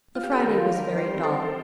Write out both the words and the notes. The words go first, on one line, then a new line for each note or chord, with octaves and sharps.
The Friday was very dull.
F4
G4
A4
D#3 G4 A#4
F4
D#3
D#3
G3 C5
C4
C4 A4 C5
D#3